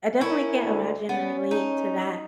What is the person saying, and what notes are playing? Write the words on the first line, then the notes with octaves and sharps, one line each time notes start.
I definitely can't imagine or relate to that-
C#4 E4 A#4
D2
B3 C#4
D#4